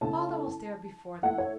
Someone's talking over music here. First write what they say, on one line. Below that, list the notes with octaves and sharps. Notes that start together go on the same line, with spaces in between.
Father was there before them.
C#3 A3 C#4 E4 A5
E3 A3 E4 F#5
C#5